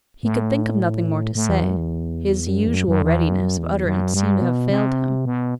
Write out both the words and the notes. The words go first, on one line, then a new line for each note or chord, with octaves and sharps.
He could think of nothing more to say; his usual readiness of utterance seemed to have failed him.
A2
A2
E2
F#2
E2
F#2
G2
E2
F#2
F#2
E2
F#2
E2
F#2
G2
B2
C3
B2